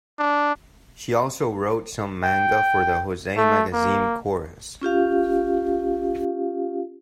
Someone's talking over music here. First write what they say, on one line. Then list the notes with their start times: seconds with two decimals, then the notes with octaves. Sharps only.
She also wrote some manga for the josei magazine "Chorus".
0.19 D4
2.24 G5
3.37 A3
3.73 A#3
4.81 C#4 F4 G4 F5